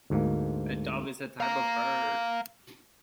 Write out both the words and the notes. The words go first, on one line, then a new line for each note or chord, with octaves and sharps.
A Dove is a type of bird.
D2 G#2 A#3
F5 A#5